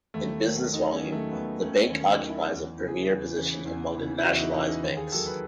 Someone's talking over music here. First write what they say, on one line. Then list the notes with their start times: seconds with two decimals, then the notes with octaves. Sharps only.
In business volume, the Bank occupies a premier position among the nationalised banks.
0.14 D#2 A3
0.44 D#3 F#3
0.73 D#2 D#4
0.93 C#4
1.02 D#3 F#3
1.12 A3
1.31 D#2 B3
1.61 D#3 F#3 C#4
1.90 D#2 C#4
2.09 D#4
2.20 D#3 F#3
2.29 E4
2.49 E2
2.78 C#3 E3
2.88 G#4
3.08 E2
3.36 C#3 E3
3.66 E2
3.95 C#3 E3
4.18 E4
4.24 E2 F#4
4.39 D#4
4.54 C#3 E3 D#4
4.68 D#4
4.83 D#2
4.97 G#4
5.12 D#3 F#3 A4
5.27 B4